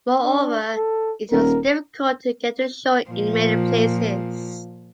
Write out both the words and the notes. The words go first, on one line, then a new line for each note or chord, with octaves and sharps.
Moreover, it was difficult to get to shore in many places.
D4
A4
D#1 A#4
A#2 F3